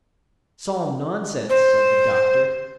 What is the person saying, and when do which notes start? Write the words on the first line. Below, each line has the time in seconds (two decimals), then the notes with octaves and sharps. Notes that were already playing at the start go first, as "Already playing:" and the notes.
"Solemn nonsense," said the doctor.
1.50 C5